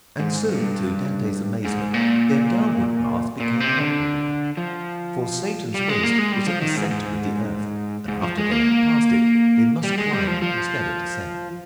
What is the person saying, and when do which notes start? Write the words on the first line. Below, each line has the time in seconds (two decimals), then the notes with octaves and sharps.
And soon, to Dante's amazement, their downward path became an upward one, for Satan's waist was at the center of the earth and after they had passed it they must climb instead of descend.
0.19 G#2
0.49 G2
1.65 G#2
1.94 A#2
3.40 A#2
3.60 C3
3.79 D3
4.57 F3
5.74 G3
5.89 G#3
6.03 A#3
6.18 G#3
6.32 G3
6.47 F3
6.61 D#3
6.76 G#2
6.91 G#2
8.08 G#2
8.22 F3
8.38 G#3
8.51 A#3
9.83 G3
9.98 G#3
10.13 G3
10.27 F3
10.42 F3